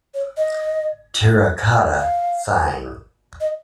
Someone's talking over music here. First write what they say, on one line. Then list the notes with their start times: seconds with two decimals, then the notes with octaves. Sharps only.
Terracotta Sighing.
0.14 C#5
0.37 D#5
2.00 F5
3.40 D#5